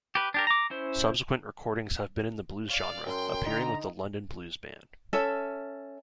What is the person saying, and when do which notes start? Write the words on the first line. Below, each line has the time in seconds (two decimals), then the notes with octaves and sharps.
Subsequent recordings have been in the blues genre, appearing with the London Blues Band.
0.15 G4 B4
0.34 D4 G4 A#4
0.47 A#5 D6
0.70 C#4 E4 C5
2.68 D5 F5
3.06 F#2 G5 C6
3.46 D3 D#4 A#5
5.13 C#4 A4 E5